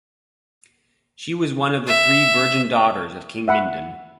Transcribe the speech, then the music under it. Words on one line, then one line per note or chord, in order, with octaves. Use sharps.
She was one of the three virgin daughters of King Mindon.
E5
E5 F#5 B5